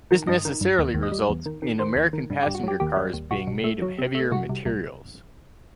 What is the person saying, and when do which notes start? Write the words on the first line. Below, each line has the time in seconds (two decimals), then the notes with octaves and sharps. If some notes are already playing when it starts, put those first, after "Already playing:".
This necessarily results in American passenger cars being made of heavier materials.
0.11 D#3
0.27 G2 D#5
0.45 D#3
0.61 G2
0.79 D#2
0.94 D#2
1.03 D#5
1.12 G3
1.29 E2
1.46 D#3
1.62 D#3
1.79 D#3 C5
1.96 D#2
2.13 D#3
2.30 G2
2.43 G2 G4
2.55 F#4
2.63 F#3 G4
2.80 D#2 G4
2.97 G3
3.13 D#2
3.31 B1 F#4
3.47 B1
3.64 A3
3.82 F#3
3.98 C3
4.15 A3
4.32 C2 F#4
4.49 C2
4.66 C2